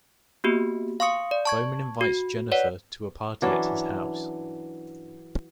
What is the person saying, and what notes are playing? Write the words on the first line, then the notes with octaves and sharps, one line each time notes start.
Bowman invites Jennifer to a party at his house.
A#3 B3 F#4 G4
F5 C6 C#6 D#6 C#7
D5
A5 C#6 G#6
F#4
B4 C#5 D5 F#5
E3 F#3 C#4 D4